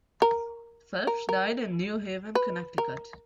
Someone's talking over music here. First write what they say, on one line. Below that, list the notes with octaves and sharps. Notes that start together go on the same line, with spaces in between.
Phelps died in New Haven, Connecticut.
A#4
A#4
A#4
B4
A#4